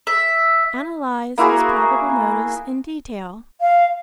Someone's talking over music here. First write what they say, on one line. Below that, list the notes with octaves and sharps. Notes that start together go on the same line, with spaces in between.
Analyze his probable motives in detail.
E5
A#3 E4 F#4 G#4
F5